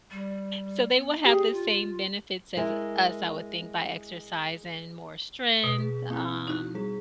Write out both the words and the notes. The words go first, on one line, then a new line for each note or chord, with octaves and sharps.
so they will have the same benefits as us, I would think, by exercising, more strength, um
G3
B3
G4 G#4
F4
G#3 E4 A#4
B2
G#4
A#3 C4 E4
D#4 F#4
G3 G#4